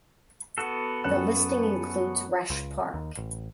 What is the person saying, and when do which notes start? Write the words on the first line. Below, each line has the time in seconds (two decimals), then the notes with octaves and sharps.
The listing includes Resch Park.
0.58 B3 F#4 A4
1.04 F#2 F#6 E7
2.50 C#2
2.94 D#2
3.17 A1